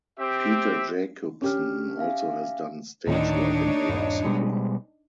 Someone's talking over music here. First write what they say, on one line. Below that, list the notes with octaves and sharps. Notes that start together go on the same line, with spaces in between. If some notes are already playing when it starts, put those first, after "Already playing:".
Peter Jacobson also has done stage work in New York City.
C4 G4 E5
C#4 D4 G4 F6
E5 F5 G#5
D2 A2 D#3 D4 D#4 C#5
D#1 G2
B2 G3 G#3